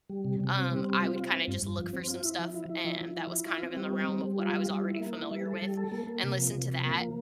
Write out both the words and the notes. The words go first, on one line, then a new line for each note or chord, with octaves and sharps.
um, I would, kinda, just, look for some stuff, and that was, kind of, in the realm of what I was already familiar with, and listen to that,
G3
C3
C3
C4
G3
C4
F4
F4
C4
G2
G2
F3
C4
F4
E4
F3
E4
E4
F3
F3
E4
E4
F4
C4
G3
C4
G3
G3
F4
G3
G3
E4
A#3
E4
G3
A4
G3
A4
A#3
A#3
C3
F3
C3
F3
A#3
F3